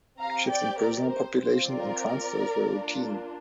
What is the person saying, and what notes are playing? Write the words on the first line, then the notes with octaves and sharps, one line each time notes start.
Shifting prisoner populations and transfers were routine.
C4 G4 F5 A#5
D5 G5
A#4 D5
C5
C4 F4 C5
A#4 D5
A#3 D4 F4